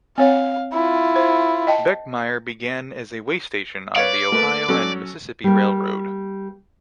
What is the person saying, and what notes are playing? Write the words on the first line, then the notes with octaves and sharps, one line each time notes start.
Beckemeyer began as a way station on the Ohio and Mississippi Railroad.
C4 C#5 F5 F#5
E4 F4
C5
D#5 G5 A5
B4 C#5 D5 F5
A3 A#3 B4
F#3 C#4 A4
G3 A#3